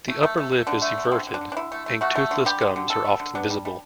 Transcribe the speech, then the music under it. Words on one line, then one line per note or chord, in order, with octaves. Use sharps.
The upper lip is everted and toothless gums are often visible.
A3
A3
A3
A3
D3 D4
A3
D3
D4
D3 C4
D3
D4
D3
D4
D3 E4
A3
A3
A3 F#4
A3
D3
G3 G4
D3
D3
D3 A4
B3
D3
B3 D4
G3
G3